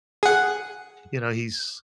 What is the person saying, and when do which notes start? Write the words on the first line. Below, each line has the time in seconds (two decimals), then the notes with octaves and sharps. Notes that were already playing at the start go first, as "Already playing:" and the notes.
you know, he's,
0.23 G#4 F#5